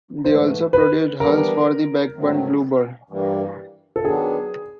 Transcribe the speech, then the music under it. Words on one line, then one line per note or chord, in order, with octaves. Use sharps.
They also produced hulls for the Blackburn Bluebird.
G#2 E3 A3 C5
B4
E3 G3 B3 D4 A#4
G#2 D#3 F#3 A3 C4
G2 E3 G3 A#3
A4
D#3 F#3 B3 D4 G#4